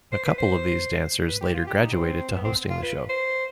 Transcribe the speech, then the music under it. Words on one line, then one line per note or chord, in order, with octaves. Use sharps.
A couple of these dancers later graduated to hosting the show.
C5
B4
C5
B4
G4
F4
G4
D#4
C4
B3
C4
F4
B4
C5